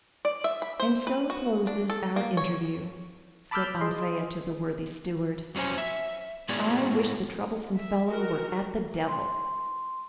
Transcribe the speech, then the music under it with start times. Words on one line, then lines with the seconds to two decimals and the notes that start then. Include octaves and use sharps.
"And so closes our interview," said Andrea to the worthy steward; "I wish the troublesome fellow were at the devil!"
0.25 D5
0.44 E5
0.62 B5
0.80 C5
1.07 B4
1.30 F#4
1.67 D4
1.90 A4
2.16 A#3
2.37 C#5
3.51 A5 B5 D6 E6 F6 G6
3.81 G#4 D#5 C6
5.55 F2 F#3 C#4 C5 G#5
5.78 E5
6.49 A2 G#3 B3 F#4 G#4 D5
7.75 E5
8.07 F#4 A#4
9.07 C6